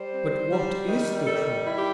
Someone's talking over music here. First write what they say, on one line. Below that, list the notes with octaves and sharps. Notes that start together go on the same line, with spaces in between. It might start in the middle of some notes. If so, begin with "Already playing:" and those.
"But what is the truth?"
Already playing: G3 C5
C4
G3
D#3
G3 A4
E4
G4